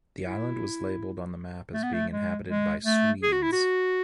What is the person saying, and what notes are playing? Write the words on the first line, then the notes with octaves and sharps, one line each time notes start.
The island was labeled on the map as being inhabited by Swedes.
E4
A3
B3
A3
G#3
G#3
A3
G#4
F#4
E4
F#4